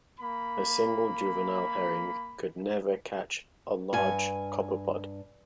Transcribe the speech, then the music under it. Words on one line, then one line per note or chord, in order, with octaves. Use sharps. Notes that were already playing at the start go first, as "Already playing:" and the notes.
A single juvenile herring could never catch a large copepod.
A#3 B5
G2 G#5